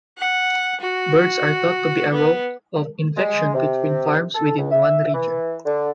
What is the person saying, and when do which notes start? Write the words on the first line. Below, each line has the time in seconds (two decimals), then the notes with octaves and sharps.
Birds are thought to be a route of infection between farms within one region.
0.18 F#5
0.81 F#4
2.12 B3
3.16 G#3
3.54 C3
4.35 A4
4.58 C#2
4.72 E5
5.13 E3
5.66 D3